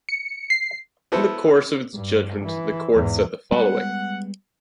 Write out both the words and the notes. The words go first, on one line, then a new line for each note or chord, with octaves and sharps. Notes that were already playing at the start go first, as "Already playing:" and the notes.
In the course of its judgment, the Court said the following.
C#7
C7
B3 E4 F#4 A4 B4 C5
G2
E3
E2 G#2
G3 G#3 B3 F#5